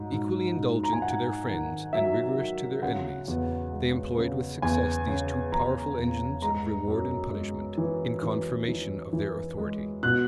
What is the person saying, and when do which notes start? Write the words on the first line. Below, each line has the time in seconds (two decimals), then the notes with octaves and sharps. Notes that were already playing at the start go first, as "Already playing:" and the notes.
Equally indulgent to their friends and rigorous to their enemies, they employed with success these two powerful engines of reward and punishment, in confirmation of their authority.
Already playing: G#2 F#3
0.12 G#2
0.57 G#2
0.84 A#5
0.93 G#5
1.02 G#2 F#5
1.47 D#3
1.93 F#3 E5
2.37 F#3
2.82 C#3 F#5
3.28 E2
3.72 G#3
4.18 C#3
4.62 E2 G#5
5.08 C#3
5.52 E2 A#5
5.97 E2
6.42 G#3 A#5
6.88 F#2
7.32 G#3
7.78 E3
8.23 E3
8.68 E3
9.13 E3
9.58 G#3
10.03 B2 F#6